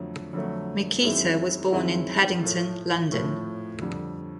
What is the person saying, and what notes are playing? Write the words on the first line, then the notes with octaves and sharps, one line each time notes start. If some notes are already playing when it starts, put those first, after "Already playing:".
Miquita was born in Paddington, London.
Already playing: F2 D3 F#3 A3
F2 D3 F#3 A3
F#2 D#3 G#3 C4 E4
F#2 D#3 G#3 C4 E4
A2 F3 A3
A2 F3 A3
F2 D3 G3